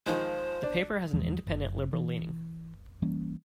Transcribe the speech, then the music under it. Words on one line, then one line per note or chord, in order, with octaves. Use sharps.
The paper has an independent liberal leaning.
D#3 F3 G#3 C5
D4
E2 E3 F3 G#3
F#1
E3
E3 G3 A#3 C#4